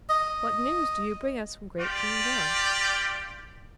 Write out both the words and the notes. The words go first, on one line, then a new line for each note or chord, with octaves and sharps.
"What news do you bring us from great King John?"
D#5
F4 G4 D5